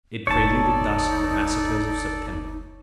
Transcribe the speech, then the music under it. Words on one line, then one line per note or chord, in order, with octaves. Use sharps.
It preluded thus the massacres of September.
F#1 D2 D#4 A4 C#5 D5 A5